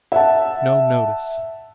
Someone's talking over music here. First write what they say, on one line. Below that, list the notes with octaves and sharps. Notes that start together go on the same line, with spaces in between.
No notice.
E5 F#5 A5